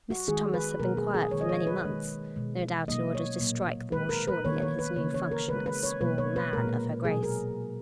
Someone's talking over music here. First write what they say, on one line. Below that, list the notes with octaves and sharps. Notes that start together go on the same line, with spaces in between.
Mr. Thomas had been quiet for many months, no doubt in order to strike the more surely in his new function as "sworn man" of her Grace.
F#4
D#3 G#3 G#4
B4
B2 F#3 A#3 A#4
G#4
G#4
D#3 G#3 C#5
D#5
C#5
B4
D#3 G#3
B2 G#3
B2 F#3 A#3 D#5
C#5
A#2 F#3 A#3
D#3 G#3 B4
A#4
B4
D#3 A#3 C#5
C#5
B4
C#3 E3 A#3 C#5
C#5
A#4
C#3 G#3 B4
B4
C#5
B2 F#3 A#3 B4
C#5
B4
A#2 G#3 A#4
B2 F#3 A#3 G#4
A#4